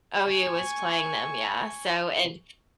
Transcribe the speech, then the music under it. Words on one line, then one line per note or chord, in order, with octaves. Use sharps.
OU was playing them, yeah, so, and
G#5 C#6